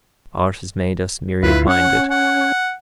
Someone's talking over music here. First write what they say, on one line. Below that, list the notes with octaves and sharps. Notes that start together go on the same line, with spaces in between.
Art has made us myriad-minded.
D2 E4 F4 B4
C#4 F#5
F#5